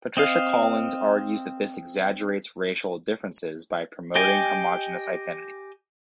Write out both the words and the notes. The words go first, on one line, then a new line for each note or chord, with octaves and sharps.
Patricia Collins argues that this exaggerates racial differences by promoting homogeneous identity.
C4 D#5 F5
G4 D#5 G5 G#5